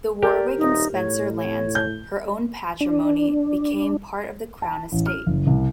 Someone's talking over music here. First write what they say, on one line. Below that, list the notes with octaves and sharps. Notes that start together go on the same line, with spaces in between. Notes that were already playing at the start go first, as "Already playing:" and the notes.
The 'Warwick and Spencer lands', her own patrimony became part of the crown estate.
G4 A#4 D5
D#1 D#4
A2 C#5
C#5
G6
D4
A5
A1
F6
F#1
C2